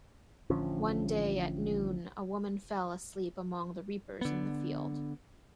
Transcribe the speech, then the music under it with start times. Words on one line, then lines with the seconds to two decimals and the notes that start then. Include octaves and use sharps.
One day at noon a woman fell asleep among the reapers in the field.
0.50 A1 D3 F3 C#4
4.21 D3 B3